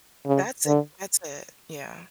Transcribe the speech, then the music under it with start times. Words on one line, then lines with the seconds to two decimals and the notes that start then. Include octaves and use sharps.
that's it, that's it, yeah.
0.26 C#3
0.66 D3